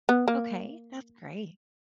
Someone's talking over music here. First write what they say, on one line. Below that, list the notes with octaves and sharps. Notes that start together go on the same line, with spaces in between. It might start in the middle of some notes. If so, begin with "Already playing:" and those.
Okay, that's great.
B3
A#3